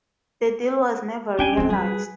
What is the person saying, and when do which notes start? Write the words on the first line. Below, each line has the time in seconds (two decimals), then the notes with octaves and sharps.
The deal was never realised.
1.39 C#4 D4 G5 G#5
1.57 F3 C4 F4
1.70 G3 G#4 B4